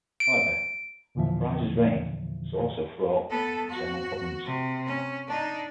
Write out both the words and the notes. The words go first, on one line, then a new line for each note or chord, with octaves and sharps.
However, Apries' reign was also fraught with internal problems.
D7
E2 A#2 D3 E3 F3 E5
B3 A4
F#4
C3
C#4
D4 D#4